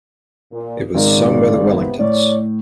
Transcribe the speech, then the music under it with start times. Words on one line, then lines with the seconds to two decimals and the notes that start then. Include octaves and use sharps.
It was sung by The Wellingtons.
0.52 A#2
0.95 G#1 C#3 D#4 A#4 D5
1.69 C3 B3
1.99 A2 C#5 D5